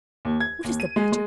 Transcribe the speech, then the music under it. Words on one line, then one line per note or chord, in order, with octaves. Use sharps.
What is the matter?
D#2
G#6
D#2
D#7
G#3
G#3